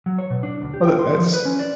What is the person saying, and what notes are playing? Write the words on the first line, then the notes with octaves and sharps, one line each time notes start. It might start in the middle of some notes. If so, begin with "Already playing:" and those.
Oh, that that's
F#3
C#5
B2
D4
D2
G4
G5
C6
F3
B4
C#4
D5